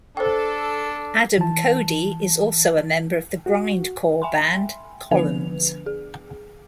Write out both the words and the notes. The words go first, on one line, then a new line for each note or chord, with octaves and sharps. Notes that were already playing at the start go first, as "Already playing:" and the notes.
Adam Cody is also a member of the grindcore band Columns.
D4 A4 C5 G5
E3 A5
F#4
E5 G5 G#5 B5 C6
D3 F3 B3 D4 B4 F7
G#4